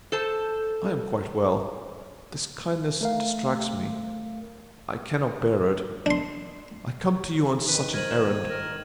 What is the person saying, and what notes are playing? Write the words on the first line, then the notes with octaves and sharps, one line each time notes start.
"I am quite well. This kindness distracts me--I cannot bear it--I come to you on such an errand!"
A4 C5 A5
A3 A#4 F5
D4 C6
D#3 B4
A#4 C5 G#6 D#7 F#7
E7 F#7
A#4